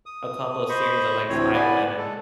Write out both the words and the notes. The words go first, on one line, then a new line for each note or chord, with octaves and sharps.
a couple series of like Spider-Man.
D#6
C5 D#5 B5 C#6
D2 A2 C3 E3 C4 C#5
A2 B3 D5 F#5 G#5 B5
G#3 A4